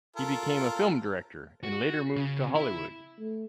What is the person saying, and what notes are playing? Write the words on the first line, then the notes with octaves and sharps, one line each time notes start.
He became a film director and later moved to Hollywood.
F4 A4 A#4
F#4
C#3
E4
A3